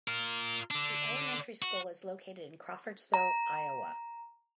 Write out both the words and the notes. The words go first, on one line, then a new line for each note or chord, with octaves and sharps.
The elementary school is located in Crawfordsville, Iowa.
F4 A#4
D3 D4
F#4
A#5